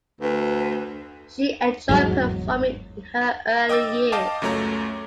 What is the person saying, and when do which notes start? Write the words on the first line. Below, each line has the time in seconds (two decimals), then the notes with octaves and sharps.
She enjoyed performing in her early years.
0.21 D2 B4
1.89 G1 E2 G#2 F#3
3.69 D#5 G5 D6 E6 A6
4.12 D#5 F5 G5 A5 D6
4.42 C#2 F#2 A3 C#5 A#5